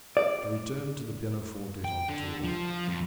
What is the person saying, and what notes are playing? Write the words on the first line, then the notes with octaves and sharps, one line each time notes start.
But to return to the pianofortes on tour.
D5
G5
D3
F3
F2